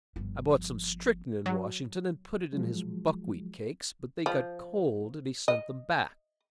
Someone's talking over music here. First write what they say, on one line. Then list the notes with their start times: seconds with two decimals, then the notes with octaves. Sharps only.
I bought some strychnine in Washington, and put it in his buckwheat cakes; but they got cold, and he sent them back.
0.16 G1 F3
1.46 F#3
2.53 F3 F#3 G#3
4.26 F3
5.48 D#5